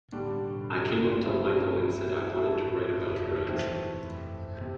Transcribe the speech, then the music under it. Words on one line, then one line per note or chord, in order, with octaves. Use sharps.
I came up to Michael and said I wanted to write about drugs.
A2 D3 G3 D4
B2
A2
G2
A2
G2 A3 C4 E4
A3 E4 A4
A2
G2
F2
E3 A3 C4
F2
G2
C3